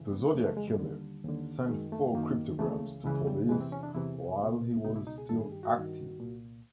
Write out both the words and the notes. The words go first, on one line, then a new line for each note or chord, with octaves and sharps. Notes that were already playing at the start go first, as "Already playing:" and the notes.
The Zodiac Killer sent four cryptograms to police while he was still active.
Already playing: F2 C#3 E3
B3
F2 C#3 E3 A3
A3
G#3
G3
D#2 D3
D#2 D3
F#2 D#3 G#3
A3
F#2 D#3 A#3
C#2 C#3 E3 A3
C#2 C#3 E3 G#3
G3
E2 C3 E3 G#3
C4
C#4
D4
E2 C3 E3 E4
C#2 B2
C#2 B2 D#4
E4
D#4
G#4
G2 D#3 A4
G#4
G4
F#4
G2 D#3
C2 A#2